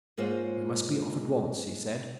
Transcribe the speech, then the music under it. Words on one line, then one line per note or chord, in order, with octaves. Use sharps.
"We must be off at once," he said.
G#2 G#3 A#3 F4 C5 C#5